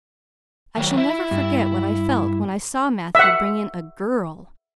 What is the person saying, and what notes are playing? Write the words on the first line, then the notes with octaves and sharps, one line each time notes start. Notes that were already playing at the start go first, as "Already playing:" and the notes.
I shall never forget what I felt when I saw Matthew bringing in a GIRL.
D#3 F#3
E4 E5
G2
E5 F#5